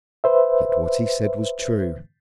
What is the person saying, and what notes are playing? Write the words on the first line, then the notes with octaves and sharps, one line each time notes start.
Yet what he said was true.
B4 C5 E5